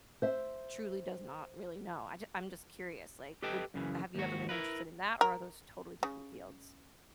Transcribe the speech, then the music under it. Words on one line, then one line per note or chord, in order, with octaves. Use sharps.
truly does not really know, I ju I'm just curious, like, would have you ever been interested in that, or are those totally different fields?
C5 E5
G4 A4 B4 D#5 G5 A5
F#2 C#3 E3
D#2 G#2 F#4
E4 A#4 B4
A#4
C#3